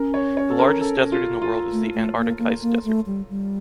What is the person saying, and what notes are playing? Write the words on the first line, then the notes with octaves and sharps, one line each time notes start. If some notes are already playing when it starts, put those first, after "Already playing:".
The largest desert in the world is the Antarctic Ice Desert.
Already playing: C#4 A#4
C#5
C#5
A4
A#4
A4
F4
F4
A3
A3
A#3
A#3
A#3
A3
G3
G3